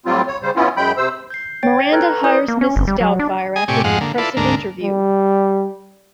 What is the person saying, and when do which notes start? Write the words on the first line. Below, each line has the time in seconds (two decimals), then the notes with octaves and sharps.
Miranda hires Mrs. Doubtfire after the impressive interview.
0.06 A2 F#3 G3 C4 F4
0.27 C#5
0.42 C#3 G3 C5
0.56 B3 C#4 E4 F4
0.77 F#2 F#3 G#3 G5 B5 G6
0.97 C3 C5 E6
1.30 G6 C7
1.63 C#5 G5 A6
1.92 A4 B4 A#5 F6 F#6 G#6
2.24 E4 B4 D5 D#6 G6
2.48 A#3
2.61 C#4
2.76 G1
2.87 G3
3.01 F#3
3.19 D4
3.56 G#4 D#5 G#5
3.68 A2 C3 G4 D5 G#5 C#6
3.84 F2 G#2 G#3 F5 F#5
4.01 D3 A#3
4.18 E4 F4 A4 B4 D5
4.37 D2 G#2 A#3 D4 A#4
4.82 G3